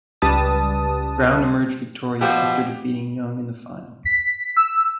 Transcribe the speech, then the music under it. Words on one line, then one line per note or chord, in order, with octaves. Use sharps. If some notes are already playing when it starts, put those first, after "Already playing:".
Brown emerged victorious after defeating Young in the final.
C#2 G3 B4 A5 D#6
B2 F3 G4
B6
E6